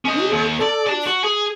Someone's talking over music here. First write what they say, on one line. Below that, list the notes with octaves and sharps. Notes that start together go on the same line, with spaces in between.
You like those?
C#4 D#5
D#2
D5
D5 A5
F#4
G#4